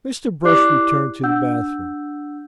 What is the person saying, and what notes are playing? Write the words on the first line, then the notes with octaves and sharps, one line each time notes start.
Mr. Brush returned to the bathroom.
E4 G4 D5 D6 F#6 C7
D4 F#5 E6 G6